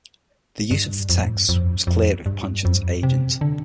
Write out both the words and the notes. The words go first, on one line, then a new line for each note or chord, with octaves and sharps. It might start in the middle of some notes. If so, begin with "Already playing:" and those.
The use of the texts was cleared with Pynchon's agent.
G2
F2
A2
G2
F2
F2
G2
F2
G2
F2
C3
D3